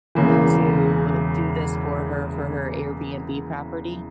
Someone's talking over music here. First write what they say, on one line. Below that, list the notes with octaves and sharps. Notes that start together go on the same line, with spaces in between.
to do this for her, for her Airbnb property,
E1 E2 C#3 E3 A#3